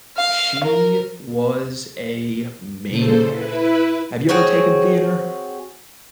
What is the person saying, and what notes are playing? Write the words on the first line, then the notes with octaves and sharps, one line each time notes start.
she was a maniac. Have you ever taken theater?
F5
A#4
A#2 C#3 A4 C5
E4 B4
C4 F#4 G#4 C#5